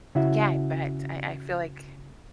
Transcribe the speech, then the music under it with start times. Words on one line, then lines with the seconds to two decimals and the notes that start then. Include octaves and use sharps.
Yeah, I bet, I I feel like
0.15 C#3 E4 F#4 E5